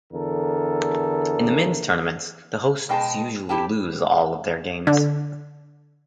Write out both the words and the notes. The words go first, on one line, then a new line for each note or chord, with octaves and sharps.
In the men's tournaments, the hosts usually lose all of their games.
E2 D3 A4 A#4
B2 G#3 G5 A5
E4 G4 G5 A5
D3